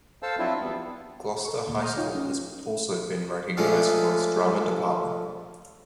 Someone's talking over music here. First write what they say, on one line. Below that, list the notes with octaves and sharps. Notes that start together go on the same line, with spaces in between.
Gloucester High School has also been recognized for its drama department.
A4 C5 F5 A5 E6
F3 F#3 C4 D4 E4 F4
E2 G3 B3
A4 C#6
D2 A#2
A#5 D#6 F6 G6
D#4 F4 C#5 F5 G5
C#4
F3 G#3 A3 C#4 D4 F4